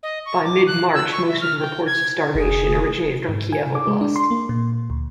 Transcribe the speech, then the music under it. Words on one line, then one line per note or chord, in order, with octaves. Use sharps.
By mid-March, most of the reports of starvation originated from Kiev Oblast.
D#5
C#6
D6
F#6
E6
C#6
E5
F6
G5
G#6
F1 G#4
G#2
G#5
D6
G#3
D4
C6
A#3
A#2
D2